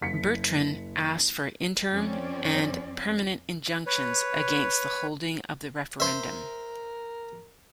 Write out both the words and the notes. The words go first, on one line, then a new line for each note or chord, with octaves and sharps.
Bertrand asked for interim and permanent injunctions against the holding of the referendum.
F#1 B6 C#7
F2 C4 C#4 D5
B4 C#5
A#4 C5 E5